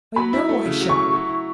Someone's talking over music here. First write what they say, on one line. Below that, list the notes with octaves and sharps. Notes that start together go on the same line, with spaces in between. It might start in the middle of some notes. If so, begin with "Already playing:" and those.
I know I shall!
F#3 B5
E4
A3
C#3
F#3
C#6
E4
F#3
E4